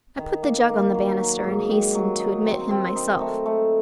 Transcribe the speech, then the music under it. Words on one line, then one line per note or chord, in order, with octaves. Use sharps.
I put the jug on the banister and hastened to admit him myself.
D#3
A#3
A#3
F#3
F#3
G#2
D#3
F#3
D#4
C4
C4
D#4
A3
A3